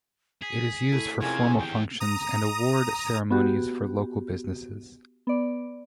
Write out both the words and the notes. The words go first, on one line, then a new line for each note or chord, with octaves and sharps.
It is used for formal functions and award ceremonies for local businesses.
G#4 B6
A3 E4
F2 C3 C#4 F4 G4 G#4 A#4 G#6
E2 E3 G5
A#5 D#6
B3 F#4 G4
B3 D5